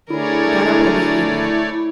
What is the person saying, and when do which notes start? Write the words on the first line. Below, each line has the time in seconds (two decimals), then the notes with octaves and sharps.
I got up obediently.
0.10 D3 A3 E4 G#4 A#4 C#5 D5